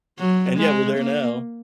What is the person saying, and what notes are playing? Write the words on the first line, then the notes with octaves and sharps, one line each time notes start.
And yeah, we're there now.
F#3
G#3
A#3